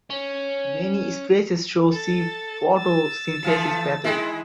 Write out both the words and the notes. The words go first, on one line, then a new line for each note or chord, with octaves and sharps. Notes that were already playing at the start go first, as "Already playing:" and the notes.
Many species show C-photosynthesis pathway.
C#4
A4 A6
E6 A6
E3 F3 A3
D#3 G#3 E4